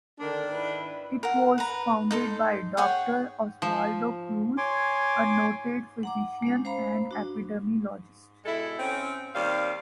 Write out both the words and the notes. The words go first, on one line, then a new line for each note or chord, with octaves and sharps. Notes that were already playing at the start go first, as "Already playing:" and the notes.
It was founded by Doctor Oswaldo Cruz, a noted physician and epidemiologist.
D3 D#3 D4 A#4
E4 B4
A#4 F#5
B4 A#5
D#4 A4 C6
G#4 C#5 F#5 G5
F3
C#5 G#5 C6 D6
F#5 A#5 D6
G#3 C#4
C5 F5 A#5 B5
D4 F#4
B2 G#3 E4 A4
C4 C#4
D#2 G3 C4 F5